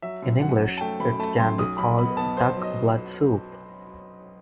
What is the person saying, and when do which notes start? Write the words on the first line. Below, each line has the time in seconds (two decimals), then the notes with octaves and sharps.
In English it can be called "duck blood soup".
0.02 F#3 E5
0.22 F#2
0.42 F#2 F#5
0.61 F#3
0.78 A5
0.81 A3 G5
1.00 F#2 B5
1.19 A3 A5
1.39 F#2 C6
1.58 B1 D#6
1.78 B1 B5
1.98 B3 B5
2.17 B3 A5
2.37 B3 C5
2.57 F#3
2.63 D#5